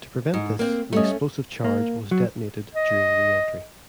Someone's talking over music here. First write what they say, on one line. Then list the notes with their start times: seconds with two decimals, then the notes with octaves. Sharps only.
To prevent this, an explosive charge was detonated during reentry.
0.34 G#2
0.59 A#3 C4
0.93 G3 A3 C#4 D#5
1.64 A#3
2.11 F#3
2.74 D#5